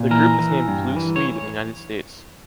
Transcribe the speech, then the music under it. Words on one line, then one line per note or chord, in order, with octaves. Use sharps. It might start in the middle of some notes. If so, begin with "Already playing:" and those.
The group is named Blue Swede in the United States.
Already playing: A#2
E3 A#4
E3
G2
E3
C#5